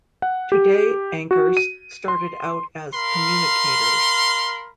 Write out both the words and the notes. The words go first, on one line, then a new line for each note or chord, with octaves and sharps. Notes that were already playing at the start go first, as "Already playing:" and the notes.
"Today" anchors started out as "Communicators".
F#5
G4
F#4
D#7
C6
A#4 F5 B5 C6